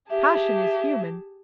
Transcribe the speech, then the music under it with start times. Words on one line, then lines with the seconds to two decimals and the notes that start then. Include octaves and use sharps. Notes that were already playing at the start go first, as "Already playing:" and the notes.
Passion is human.
0.10 G4 G#4 E5 A5